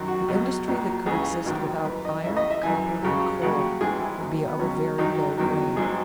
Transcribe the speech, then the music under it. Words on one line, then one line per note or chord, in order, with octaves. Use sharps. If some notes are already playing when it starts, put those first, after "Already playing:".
The industry that could exist without iron, copper, and coal would be of a very low grade.
Already playing: F#2 D#3 F#3
F#4
C#2 B2 F#3
A#1 A#2 F#3
C#2 C#3 E3 G#4
A#1 G#2 D#3 F#3
F#2 E3 B4
D#5
C#2 C#3 E3 E5
D#5
E5
F#2 E3 G#5
C#2 C#3 F#3
D#2 C#3 F#3 F#5
G#1 G#2 E3 G#4
E4
D#2 D#3 F#3
B3
C#2 B2 F#3 C#4
F#2 D#3 F#3 D#4
E2 D#3 F#3
G#1 G#2 F#3 G#4